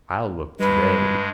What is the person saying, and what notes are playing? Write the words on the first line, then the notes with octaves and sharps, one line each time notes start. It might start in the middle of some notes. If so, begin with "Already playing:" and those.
I'll look today.
G2 G3 G#3 B4